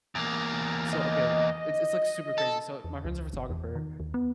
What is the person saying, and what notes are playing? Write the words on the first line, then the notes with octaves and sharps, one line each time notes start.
so okay. It's it's like super crazy, so my friend's a photographer,
E2 A#3
D#5
A4
E2
C#2
G1
E2
D#3
D#2
B3